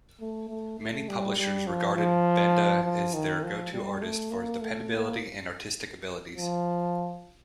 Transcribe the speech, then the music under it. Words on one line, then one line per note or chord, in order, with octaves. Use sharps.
Many publishers regarded Benda as their go-to artist for his dependability and artistic abilities.
A3
A3
A3
G3
G3
F3
F3
F3
D#3
F3
G3
A3
A#3
A3
A#3
F3